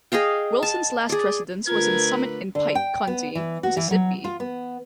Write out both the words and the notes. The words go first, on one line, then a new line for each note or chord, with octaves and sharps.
Wilson's last residence was in Summit in Pike County, Mississippi.
G#4 D#5 F5 G5
A5
G#4 D5
D3 A3 F4 A#4 B4 G#6
D3
G5
B3
E3
F#4
E3
F#3
F4
B3